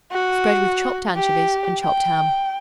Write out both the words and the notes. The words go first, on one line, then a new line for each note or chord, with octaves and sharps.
Spread with chopped anchovies and chopped ham.
F#4
G4
G5